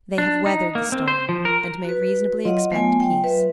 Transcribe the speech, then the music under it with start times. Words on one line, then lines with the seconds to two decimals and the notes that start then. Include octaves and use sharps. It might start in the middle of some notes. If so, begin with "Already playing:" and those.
They have weathered the storm, and may reasonably expect peace.
0.18 D4
0.46 D#4
0.75 A#3
0.92 C4
1.08 C5
1.29 F3
1.45 A#4
1.84 F#4 B4
2.45 F#3 F4 D#5 F#5
2.72 A3 B3 G#5
3.00 G5
3.24 B4 E5